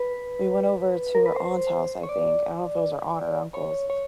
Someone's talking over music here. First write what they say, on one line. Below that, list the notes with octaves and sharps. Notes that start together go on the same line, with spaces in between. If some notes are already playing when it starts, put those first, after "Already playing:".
we went over to her aunt's house, I think- I don't know if it was her aunt or uncle's-
Already playing: B4
A#4
B4
C5
C#5
D5
C#5
C#5